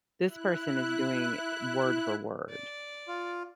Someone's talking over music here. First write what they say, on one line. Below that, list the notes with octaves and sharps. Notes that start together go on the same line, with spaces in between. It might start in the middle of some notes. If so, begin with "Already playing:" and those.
This person is doing word for word.
E4 F#6
D5
F4